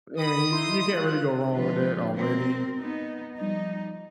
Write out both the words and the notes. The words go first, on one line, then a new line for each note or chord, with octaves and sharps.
I mean, you can't really go wrong with that already
B5 D#6
D#4 E4 C6
F4 F#6
D3 F3 G#3 F4 B4
C4 A#4
B3 D#4
F3 G3 D#4